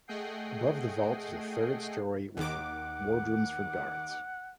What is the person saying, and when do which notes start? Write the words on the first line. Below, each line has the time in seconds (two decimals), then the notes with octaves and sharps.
Above the vault is a third story with wardrooms for guards.
0.07 A3 G#4 D#5 F#5 G5 C7
2.37 D#2 D#3 F#5 D6